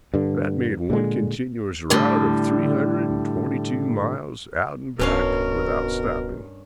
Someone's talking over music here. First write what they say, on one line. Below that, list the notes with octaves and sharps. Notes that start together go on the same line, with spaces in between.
That made one continuous route of three hundred and twenty-two miles out and back without stopping.
G2 D3
A#2 D3 G#3
A2 D3 G3
D1 G2 B2 C#4 A#4 F5